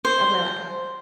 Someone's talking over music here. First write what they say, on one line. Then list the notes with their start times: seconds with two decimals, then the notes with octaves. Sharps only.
of my life."
0.05 C5